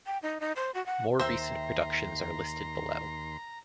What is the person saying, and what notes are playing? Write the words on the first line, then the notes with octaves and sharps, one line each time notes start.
More recent productions are listed below.
G5
D#4
D#4
C5
F#4
F#5
D#2 C5 E5 G5 A#5 C6